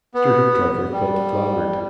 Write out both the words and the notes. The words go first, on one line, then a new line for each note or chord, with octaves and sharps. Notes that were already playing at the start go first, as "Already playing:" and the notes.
Mr. Hoopdriver felt flattered.
B3
G3